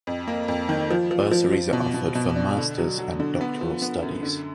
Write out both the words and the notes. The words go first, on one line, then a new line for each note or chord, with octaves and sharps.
Bursaries are offered for Master's and doctoral studies.
F2
A#3
F2
D#3
F3
F3
F3
F3
B2
B2
B2
D4
D3
F#3
F#3
D3
B3
F3
B3
F#2
D3